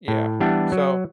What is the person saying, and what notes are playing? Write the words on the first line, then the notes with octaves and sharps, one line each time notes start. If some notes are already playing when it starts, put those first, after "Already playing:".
Yeah. So,
A2
E3 G3 B3 D4
F#3